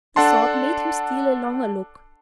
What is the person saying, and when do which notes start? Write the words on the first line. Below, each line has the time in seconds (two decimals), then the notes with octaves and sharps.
The thought made him steal a longer look.
0.16 D4 A4 F#5 A5 C6